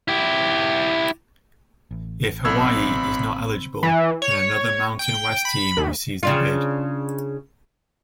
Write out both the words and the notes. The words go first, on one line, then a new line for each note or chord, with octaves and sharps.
If Hawaii is not eligible then another Mountain West team receives the bid.
E4 G4
A1
B1 C4 B5 E6 G#6
E3
C#5
G5
B5
D#2
C#3 D4 F4